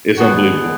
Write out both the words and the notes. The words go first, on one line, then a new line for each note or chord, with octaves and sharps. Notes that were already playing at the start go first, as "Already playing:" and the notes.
it's unbelievable,
D3 G#3 B3 F#4